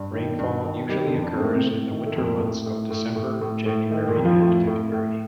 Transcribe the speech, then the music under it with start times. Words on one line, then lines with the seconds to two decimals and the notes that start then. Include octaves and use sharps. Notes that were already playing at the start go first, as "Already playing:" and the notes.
Rainfall usually occurs in the winter months of December, January and February.
Already playing: G2
0.14 D#3
0.39 G2
0.63 D#3
0.89 D#3 G3 G4
1.05 D3 D4
1.14 F2
1.23 D4
1.34 C4
1.40 A2 A#3
1.54 C3 C4
1.65 A2
1.90 D#3
2.06 A3
2.16 F2
2.23 A#2 A#3
2.40 A2
2.66 A2
2.90 A2
3.16 A2
3.41 A2
3.66 A2
3.91 D#3 A3
4.08 A#2 A#3
4.16 F2
4.25 F3 F4
4.42 A2
4.67 A2
4.92 A2